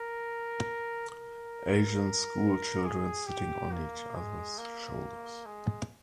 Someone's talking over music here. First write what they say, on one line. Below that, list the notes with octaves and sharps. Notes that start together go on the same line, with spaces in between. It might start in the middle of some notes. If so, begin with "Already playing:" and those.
Asian school children sitting on each others shoulders.
Already playing: A#4
A#4
G#4
G4
A#3
G#3
A#3
G#3